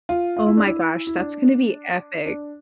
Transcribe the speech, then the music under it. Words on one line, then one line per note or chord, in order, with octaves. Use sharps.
Oh my gosh, that's gonna be epic.
F4
F4
E4
D4
E4
E4
D4
D4